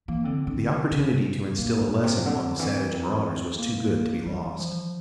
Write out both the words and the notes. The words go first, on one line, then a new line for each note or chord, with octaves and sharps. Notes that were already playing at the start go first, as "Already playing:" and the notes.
The opportunity to instill a lesson on the savage marauders was too good to be lost.
E3 A#3
D3 C4
D3 C4
C3
C3
A#2 A#3
A#2
C3
A#3
D3 C4
E3 C4
C4
A#3
E3 G3
F3